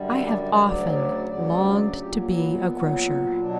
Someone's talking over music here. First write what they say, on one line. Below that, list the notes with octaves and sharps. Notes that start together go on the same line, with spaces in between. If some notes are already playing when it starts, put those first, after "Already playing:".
I have often longed to be a grocer.
Already playing: F#2 D3 G3
E5
D5
D5
D2 C#3 F#3
D2 C#3 F#3 D5
A#2 F#3 G4
A#3
B3
B3
A#2 F#3
B2 F#3 D4